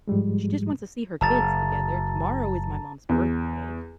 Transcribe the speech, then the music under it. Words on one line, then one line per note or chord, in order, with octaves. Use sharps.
she just wants to see her kids together. Tomorrow is my mom's birthday,
G#2 F3 G3 G#3
F#1 A5 A#5 A6
E2